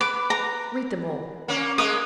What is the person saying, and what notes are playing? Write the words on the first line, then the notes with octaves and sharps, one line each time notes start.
"Read them all!"
B4 D6
A#5
A#3 C#4
G#3 A#3 D#6